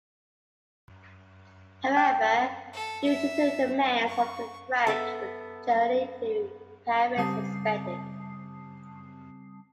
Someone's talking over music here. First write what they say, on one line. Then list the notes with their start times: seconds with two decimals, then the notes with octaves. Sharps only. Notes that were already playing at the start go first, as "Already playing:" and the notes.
However, due to the demands of the French, the journey to Paris was suspended.
1.97 G5
2.73 A4
3.04 E5
4.08 C#6
4.87 B3 A4 E5
7.17 C#3 G3 C4 A5 D#6 C7